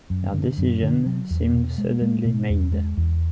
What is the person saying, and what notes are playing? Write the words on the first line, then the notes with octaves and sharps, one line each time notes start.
Her decision seemed suddenly made.
F#2
D3
F#2
D3
F#3
E2
B2
G#3
G#3
B2
E2
G#3
E2